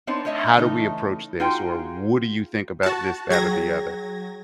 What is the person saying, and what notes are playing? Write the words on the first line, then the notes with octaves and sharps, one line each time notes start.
how do we approach this? Or what do you think about this, that, or the other?
B3 C4 D4 D#4 C#5
A3 C#5 D#5 E5
C#3 E3 A3 D#4
D#4 F4 F#4 G#4 G5
F#4 A5
F#3 G#4 G5 G#6 A#6